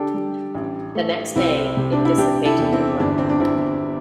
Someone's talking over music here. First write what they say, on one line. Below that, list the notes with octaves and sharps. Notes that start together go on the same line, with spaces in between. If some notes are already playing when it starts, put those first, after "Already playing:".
The next day, it dissipated inland.
Already playing: D3 D4 G4 A4
G3
A1
A3
C2 C4 E4
C3
D4
E4
C3 D4 G4
E4 A4
E2
C4 E4
G1 D4
C4
D4
G1 C4 E4